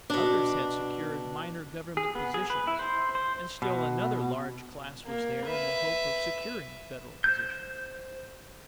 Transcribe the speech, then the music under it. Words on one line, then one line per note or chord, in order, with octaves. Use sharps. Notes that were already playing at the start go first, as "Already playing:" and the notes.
Others had secured minor government positions, and still another large class was there in the hope of securing Federal positions.
B2 D4
G#4
B3
G#4
B4
E4
C5
C5
B2
A#3
B4 E5
C5 G6